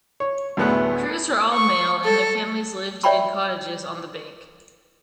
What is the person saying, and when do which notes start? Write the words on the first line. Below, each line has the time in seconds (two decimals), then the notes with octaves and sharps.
Crews were all male and their families lived in cottages on the bank.
0.20 C#5
0.57 D2 A2 A3 B3 G#4 F#5
1.53 C#6
2.05 A4
3.03 C#5 D5 E5 G5 B5 C#6